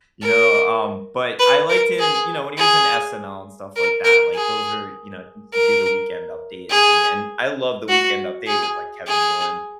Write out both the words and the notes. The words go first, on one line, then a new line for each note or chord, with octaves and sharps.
you know, um, but I liked him, you know, when he was in SNL and stuff like that, like, those are you know, he used to do the Weekend Update and thing and I love the Weekend Update with, like, Kevin Nealon,
A#4
B4
A#4
G#4
G#4
A#4
A#4
G#4
A#4
G#4
F#4
G#4
G#4